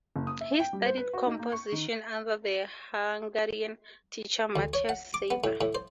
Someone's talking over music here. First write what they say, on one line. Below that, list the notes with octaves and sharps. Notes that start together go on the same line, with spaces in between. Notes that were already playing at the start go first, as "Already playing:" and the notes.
He studied composition under the Hungarian teacher Matyas Seiber.
F#1
D#6
E5
G5
G3
C5
B4
F#4
D#4
A#3
C#6
D#3
D2
C#5
F#5
D6
B3
A2
A2
C5